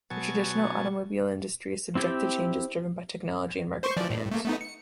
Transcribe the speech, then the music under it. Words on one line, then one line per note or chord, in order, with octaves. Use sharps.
The traditional automobile industry is subject to changes driven by technology and market demands.
B2 F#3 G#5 A5 C#6
C4 E4 G4 G5
C5 C6 C#6
E3 F3 D5
A2
A3 A#3
A3 B3 D#4
C#7